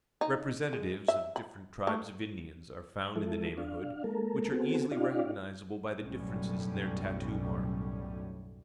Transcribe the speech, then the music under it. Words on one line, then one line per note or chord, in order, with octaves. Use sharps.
Representatives of different tribes of Indians are found in the neighborhood, which are easily recognizable by the differences in their tattoo marks.
D#4
G#3
E5
B5
A3
F3 G#3 E4 A4
D4 F5
G#3 A#3 A4 A#4
B3 C4 F#4 G#4 A4
C#4 D#4 F4 G4 D5 F5
B1 F#2 A2 G3 C#4